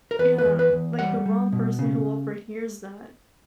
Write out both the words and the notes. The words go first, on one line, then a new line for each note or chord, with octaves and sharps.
Yeah, like the wrong person who overhears that.
A#4
E2 B4
B4
E2
B4
E2
G3 F#5
G3
B2
C#3